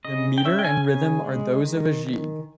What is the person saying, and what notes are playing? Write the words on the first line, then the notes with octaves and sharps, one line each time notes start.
The meter and rhythm are those of a gigue.
C#3 D#5
G5
C#4 E5
G5
G#5
C#3 G#5
G#3
D#3